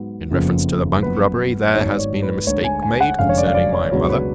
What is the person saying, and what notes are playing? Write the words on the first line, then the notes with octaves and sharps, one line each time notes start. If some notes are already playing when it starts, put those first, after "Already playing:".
In reference to the Bank robbery, there has been a mistake made, concerning my mother.
Already playing: G#2 F#3 B3
F#1 F2 C#3 F3 B3
F#2 F3 B3 B4
G#1 G#2 F#3 B3 C#5
D5
C#5
B4
D2 D3 G#3 C#5
G#5
G#5
F#5
F1 F2 D3 G#3 C#4 F5
C#5
D5
F5
D5
C#5
C#2 B2 F#3 B3 D4 C#5
B4